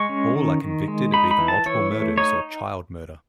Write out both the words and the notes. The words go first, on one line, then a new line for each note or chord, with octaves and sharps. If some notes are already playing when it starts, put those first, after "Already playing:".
All are convicted of either multiple murders or child murder.
Already playing: G#3 C#6
C#4
D#3
D#3
G#3
D#4 B5
B5
E3
A5
E3 C#5
A3
D#4 C#5